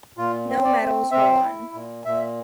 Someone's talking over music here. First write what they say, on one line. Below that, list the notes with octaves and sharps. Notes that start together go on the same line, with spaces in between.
No medals were won.
A#2 F4
C4
D5
C4
C4 E5
E4
A#2
A#2 E5